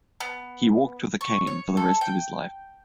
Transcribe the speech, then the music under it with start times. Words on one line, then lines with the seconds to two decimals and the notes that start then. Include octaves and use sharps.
He walked with a cane for the rest of his life.
0.20 B3
1.21 C#6
1.47 C#5
1.77 A4
2.01 G5